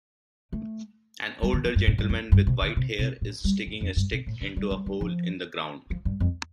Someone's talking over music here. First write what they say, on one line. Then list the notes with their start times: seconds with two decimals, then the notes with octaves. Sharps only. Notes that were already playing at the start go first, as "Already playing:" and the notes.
An older gentleman with white hair is sticking a stick into a hole in the ground.
0.52 A3
1.43 G3
1.53 D3
1.65 F3
1.76 G2
1.87 A2
1.98 G2
2.09 F2
2.32 G2
2.47 C3
2.62 D3
2.77 C3
2.99 C3
3.21 A2
3.44 G3
3.67 F2
3.81 F2
3.96 G2
4.12 C3
4.26 A2
4.41 D3
4.56 G3
4.71 G3
4.86 G3
5.01 F3
5.90 F3
6.05 G2
6.20 F2